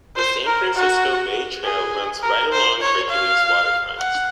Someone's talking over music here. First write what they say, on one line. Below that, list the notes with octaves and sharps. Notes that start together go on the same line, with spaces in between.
The San Francisco Bay Trail runs right along Hercules waterfront.
C5
A#4
F#4
G#4
A#4
C5
C#5
F5
F#5